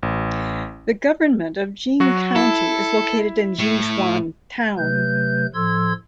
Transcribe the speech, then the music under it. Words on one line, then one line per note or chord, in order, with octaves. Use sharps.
The government of Jing County is located in Jingchuan Town.
A1
F#3 F#4
E4 A4
A2
C3 F#3 A3 B4 G6
A2 F3 A4 C6 E6 G#6